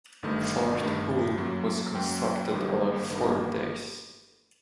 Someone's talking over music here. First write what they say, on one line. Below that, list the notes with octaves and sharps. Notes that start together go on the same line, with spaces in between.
Fort Hull was constructed over four days.
G1 G2 D#3 A3
G1 G2 D#3 A3
F#2 F#3 A#3
F#2 F#3 A#3 G5
G1 G2 D#3 G3 A#3
G1 G2 D#3 G3 A#3